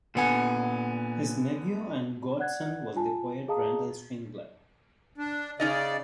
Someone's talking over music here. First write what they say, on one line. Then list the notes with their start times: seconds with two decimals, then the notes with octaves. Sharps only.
His nephew and godson was the poet Randall Swingler.
0.15 A#2 D3 B3 F#5 G#5
2.39 D5 F#5 F#6 G#6
2.96 F4 G#5 A5
3.48 G#4 D#5 F5 A5 A#5 D#6
5.18 D4
5.60 C#3 C#4 D#4 D5 D#5